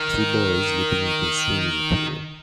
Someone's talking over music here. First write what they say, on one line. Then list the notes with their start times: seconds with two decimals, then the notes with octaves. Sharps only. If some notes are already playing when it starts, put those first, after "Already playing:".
Three boys leaping into a swimming pool.
Already playing: D#3